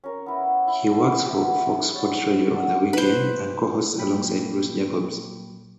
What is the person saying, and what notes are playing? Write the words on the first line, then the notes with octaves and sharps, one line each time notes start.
He works for Fox Sports Radio on the weekend and co-hosts alongside Bruce Jacobs.
C#4 A#4
B3 E4
E4
B3 E4 F4 G4
C#5 D5 F5
F#4 A4
B4 C5
A#2 F#3 G5 B5